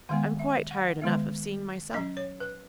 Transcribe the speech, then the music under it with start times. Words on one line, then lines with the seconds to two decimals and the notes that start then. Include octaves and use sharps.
I am quite tired enough of seeing myself.'
0.09 D#3 G#3 B3 F#5
0.39 E5
0.71 F#5
1.01 D#3 G#3 B3 E5
1.94 F#3 C#4 D#5
2.17 C#5
2.40 B4